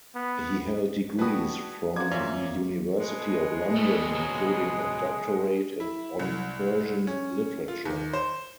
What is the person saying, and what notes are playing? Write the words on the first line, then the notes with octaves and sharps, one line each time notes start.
He held degrees from the University of London, including a doctorate on Persian literature.
B3
G3 F#4 G#4 B4 A5 D#6
A#3 D4 F#4 C5 D6 G#6
F#2 F4 C#5 E5
B2 F3 G#3 G#4
G3 A3
C#2 F#3
E4
C2
C#4
F4
D#2
C5